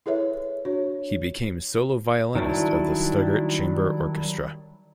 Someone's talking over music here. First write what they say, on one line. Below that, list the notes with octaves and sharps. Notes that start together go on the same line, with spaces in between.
He became solo violist of the Stuttgart Chamber Orchestra.
E4 G#4 A4 B4 C#5 E5
D4 F#4 C#5
D#3 F#3 G3 D4 E4